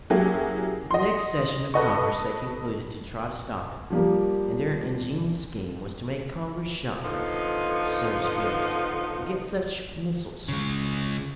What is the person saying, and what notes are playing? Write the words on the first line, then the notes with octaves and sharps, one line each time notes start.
At the next session of Congress they concluded to try to stop it, and their ingenious scheme was to make Congress shot-proof, so to speak, against such missiles.
F#3 A#3 C#4 E4 G4 G#4
D#5 C6
A4 B4 D#5 C#6
F3 G3 A#3
D3 F3 B3 D#4
C#3 G#3